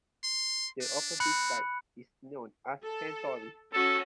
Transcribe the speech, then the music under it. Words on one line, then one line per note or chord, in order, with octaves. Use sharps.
The opposite side is known as Cantoris.
C6
D4
C4 B5 F#6 C#7
A4
C#4 F#4 A4